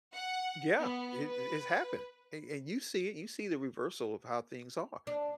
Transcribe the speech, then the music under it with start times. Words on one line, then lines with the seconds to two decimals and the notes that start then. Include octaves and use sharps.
Yeah, it it's happening, and and you see you see the reversal of how things are,
0.14 F#5
0.79 B3
1.27 B4
5.07 D4